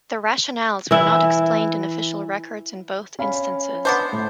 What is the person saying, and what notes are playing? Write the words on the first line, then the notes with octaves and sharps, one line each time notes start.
The rationales were not explained in official records in both instances.
E3 E4
C#4 F5 B5
B3 D4 C5
A2